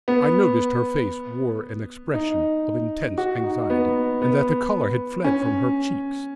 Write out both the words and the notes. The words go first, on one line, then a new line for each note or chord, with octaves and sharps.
I noticed her face wore an expression of intense anxiety and that the colour had fled from her cheeks.
B3
D#4
F#4
D#4
B3
B3
C#4